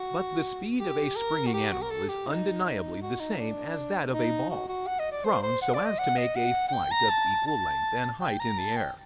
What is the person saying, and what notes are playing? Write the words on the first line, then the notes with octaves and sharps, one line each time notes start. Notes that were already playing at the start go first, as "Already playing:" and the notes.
But the speed of a springing animal is undeniably the same as that of a ball, thrown so as to make a flight of equal length and height in the air.
Already playing: F#4
G4
A#4
F#4
G4
F#4
A#4
A4
G4
D#4
D#4
F#4
D#4
D4
D#4
F#4
F#4
F#5
D#5
D5
C5
C5
F#5
D5
D#5
F#5
D#5
F#5
F#5
G5
A#5
A5
A5
G5
A#5
A5
G5